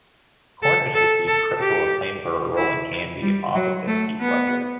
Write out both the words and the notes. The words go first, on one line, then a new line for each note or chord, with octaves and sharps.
Cornish received critical acclaim for her role in "Candy", opposite Heath Ledger.
A4
A4
A4
G4
E4
G3
F#3
A3
B3